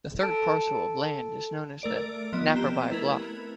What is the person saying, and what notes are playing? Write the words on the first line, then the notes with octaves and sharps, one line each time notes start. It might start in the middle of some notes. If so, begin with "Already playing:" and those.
The third parcel of land is known as the Napperby block.
A4 A5 D7
A3 A#4 D5 D7
F3 B3 D#5 B6
B3 C4 G4 A#5 E7
A3 E4 A#4 B4 G#6